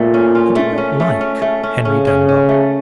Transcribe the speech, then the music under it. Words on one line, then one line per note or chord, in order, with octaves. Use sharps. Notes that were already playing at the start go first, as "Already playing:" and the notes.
He did not like Henry Dunbar.
Already playing: A#2 A3
C#4
F4
A3
C#4
A3
C#4
A3
C#4
C#3 C#4
C#4
C#4
A3